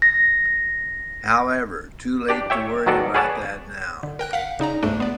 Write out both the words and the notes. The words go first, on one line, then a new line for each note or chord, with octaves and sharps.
However, too late to worry about that now.
A#6
D4 G4 D5
C#5 E5 G5
D#3 F#3 B3 A4 D5
G#4 B4 C#5 D5 F#5 A5
D3
A#4 G5 F#6
F5 F#5 B6
C#3 D#4 D5 A#5
G1 C#2 G#2 A3 D4
B3 D5